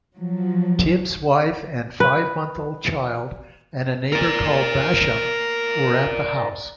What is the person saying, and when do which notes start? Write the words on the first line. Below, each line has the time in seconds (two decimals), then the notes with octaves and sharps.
Tibbs's wife and five-month-old child and a neighbour called Basham were at the house.
0.16 F3 F#3
2.00 B4
4.13 A#4 D5